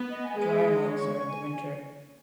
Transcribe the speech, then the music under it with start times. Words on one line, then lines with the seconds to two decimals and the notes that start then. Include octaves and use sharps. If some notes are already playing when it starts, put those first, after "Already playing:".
The drier months are in the winter.
Already playing: B3
0.09 D#5
0.24 G#5
0.39 G#3 B4
0.53 D#5
0.67 D#5
0.82 C#5
0.98 C#6
1.12 C#6
1.27 G#5